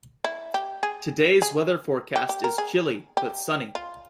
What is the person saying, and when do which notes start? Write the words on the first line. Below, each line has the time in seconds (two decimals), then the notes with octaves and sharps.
Today's weather forecast is chilly, but sunny.
0.24 E4
0.54 G4
0.83 G#4
1.42 G#4
2.16 G4
2.29 G4
2.44 A#4
2.58 G#4
3.17 G4
3.75 F4